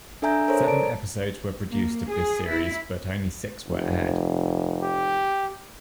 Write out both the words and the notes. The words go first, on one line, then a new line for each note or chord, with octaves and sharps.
Seven episodes were produced of this series, but only six were aired.
D4 A4 E5 G#5 A#5 G6
A4 A#4 C5 C#5 A#5
D5 A5 D7
A#3
G#4
E4
F1
G4